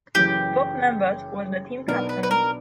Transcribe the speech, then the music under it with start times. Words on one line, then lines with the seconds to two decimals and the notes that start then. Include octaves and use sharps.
Bob Numbers was the team captain.
0.15 F#1 F#2 E3 G4
1.87 B1 B2 F#3 B3 D4 A#4
2.09 B4
2.23 B4
2.31 A#4